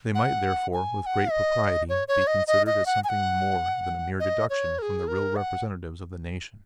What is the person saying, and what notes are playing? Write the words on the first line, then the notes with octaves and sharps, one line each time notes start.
They might therefore, with great propriety, be considered as something more than a mere deduction from the real representatives of the nation.
F#5
G#5
G#5
F#5
D#5
C#5
C#5
D#5
D#5
D#5
F#5
G#5
F#5
D#5
C#5
A#4
G#4
A#4
F#5